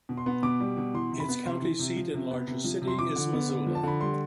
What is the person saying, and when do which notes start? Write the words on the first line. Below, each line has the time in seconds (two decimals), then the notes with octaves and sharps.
Its county seat and largest city is Missoula.
0.09 B2
0.17 C6
0.26 B3
0.43 B2 D6
0.60 G3
0.77 B2
0.94 E3 C6
1.12 C3
1.20 B5
1.29 B3
1.45 C3 C6
1.62 E3
1.79 C3
1.97 F3
2.14 C3
2.31 B3
2.47 C3
2.64 F3
2.82 C3
2.88 C6
2.99 F3 D6
3.16 D3
3.33 B3
3.49 D3
3.66 F3
3.75 A5
3.83 D3 B5
4.01 G3 C6